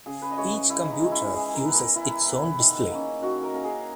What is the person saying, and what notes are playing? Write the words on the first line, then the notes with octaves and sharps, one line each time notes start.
Each computer uses its own display.
C#3 G#4
B4
D#5
E3 G#3 C#5
B4
C#3 E4
D#4
E3 G#3
E4
E3 G#4
A#4
B3
B4
A#4
E3 E4
B3
D#3
A#3 C#4
D#3 F#4
A#4
A#3 C#4 A#4
G#4